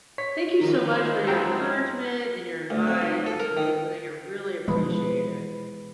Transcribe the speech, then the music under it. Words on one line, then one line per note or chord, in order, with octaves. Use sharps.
Thank you so much for your encouragement and your advice and for listening, I really appreciate it.
C#5 B6
F2 D#3 F4 A#5
G#3 D#4 E4 C5
F2 F#3 G5 A#5 E6
D2
F2
B1
A4
A#4
D#3
B2 E3 F3 G#3 B4